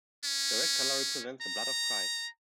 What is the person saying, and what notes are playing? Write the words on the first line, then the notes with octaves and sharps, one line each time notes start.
The red colour represents the blood of Christ.
C#4
A#5